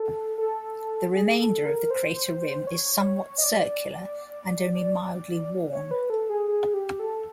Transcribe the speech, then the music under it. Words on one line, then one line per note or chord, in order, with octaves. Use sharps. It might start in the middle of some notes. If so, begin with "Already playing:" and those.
The remainder of the crater rim is somewhat circular and only mildly worn.
Already playing: A4
A4
G#4
A4
A#4
C5
C#5
D#5
D5
C#5
B4
A4
G#4
G#4
G4
A4